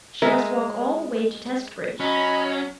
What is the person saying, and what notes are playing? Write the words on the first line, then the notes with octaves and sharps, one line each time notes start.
She must walk all the way to Testbridge.
G#3 A#4 E5
F#3 C#4 D#5 A#5 B5